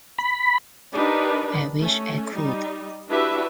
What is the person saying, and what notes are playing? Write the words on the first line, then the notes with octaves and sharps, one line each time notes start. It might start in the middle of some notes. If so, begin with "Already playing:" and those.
I wish I could.
B5
D4 D#4 G4 A#4 B4
A3 C#4
G3 D#4
D4 E4 F#4 G4 B4 E5